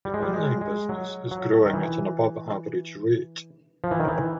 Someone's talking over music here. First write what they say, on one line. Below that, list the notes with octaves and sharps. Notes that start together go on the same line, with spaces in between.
"The online business is growing at an above-average rate".
G3
G#3
G3
G#3
G#3
F#3
F#3
D#3
E3
F3
E3
D#3
E3